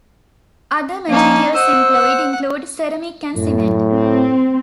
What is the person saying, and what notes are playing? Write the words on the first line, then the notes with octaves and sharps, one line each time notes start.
Other materials employed include ceramic and cement.
F3 A#3 C#4 D#4
C5 D#5 F#5 E6
F#5
F#2 A2
C4